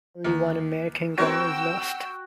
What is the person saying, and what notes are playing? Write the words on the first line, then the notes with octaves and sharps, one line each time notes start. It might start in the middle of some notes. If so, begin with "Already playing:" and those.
Only one American gun was lost.
D#2
C4 F#4 A#4 C#5 G5 E6